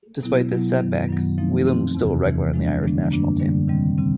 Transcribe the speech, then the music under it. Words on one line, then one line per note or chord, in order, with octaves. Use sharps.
Despite this setback, Whelan was still a regular in the Irish national team.
B2 F#3 B3 E4
B2 F#3 B3 E4
F#2 D#3 F#3 B3
F#2 D#3 F#3 B3
F3 A3 C4 D#4
F3 A3 C4 D#4
E2 C3 E3
E2 C3 E3
D3 F3 G#3 B3 D4
D3 F3 G#3 B3 D4
F#2 D3 G3 A#3 D4
F#2 D3 G3 A#3 D4
C3 D#3 G3 C4
C3 D#3 G3 C4